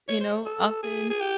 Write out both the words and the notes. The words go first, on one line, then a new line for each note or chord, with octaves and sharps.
you know, often,
C#5
C5
A4
G#4
G#4
G4